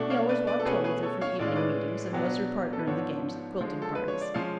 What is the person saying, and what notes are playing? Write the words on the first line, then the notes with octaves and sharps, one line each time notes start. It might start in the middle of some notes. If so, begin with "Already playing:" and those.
He always walked home with her from evening meetings and was her partner in the games at quilting parties.
Already playing: B2 A3 D4
C#5 F5
B4 D5
B4 D5
A4
B2 A3 C#4 G#4 B4
G#4 B4
A4 C#5
C#5 F5
A2 G#3 C#4 D5
F5
B4 D5
B2 F#3 B3 D4
A4
B4
G#2 F3 B3 D4 A4 C#5
D3 F3 G#3
A4
B4
C#5
D5
F3 G#3 C#4 C#5 F5